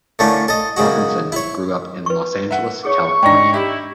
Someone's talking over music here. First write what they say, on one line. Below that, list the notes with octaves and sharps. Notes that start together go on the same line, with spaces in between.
Robinson grew up in Los Angeles, California.
A2 D3 A3 A#3 C#4
A4 D#5
F#2 C#3 G#3 F#4
E4 C#5
B4 C#6
E5 F#5
G#4 C#5 C#6
G#2 D4 D5 G5 A#6
E4 G4